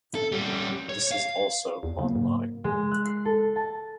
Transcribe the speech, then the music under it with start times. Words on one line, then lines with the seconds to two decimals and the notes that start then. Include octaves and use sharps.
This is also online.
0.15 A4
0.32 G3 C#4
0.89 C#5
1.11 F5
1.83 E2
1.99 C#3 F#3 A#3
2.16 G#2
2.64 G#3
2.92 F#6
3.05 C7
3.25 A4
3.56 A5